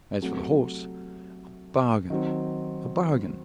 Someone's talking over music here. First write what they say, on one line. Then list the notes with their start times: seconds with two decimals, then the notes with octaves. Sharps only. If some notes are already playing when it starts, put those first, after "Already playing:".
As for the horse--a bargain, a bargain.'
0.22 C3 F#3 A3
2.10 D#3 F#3 C4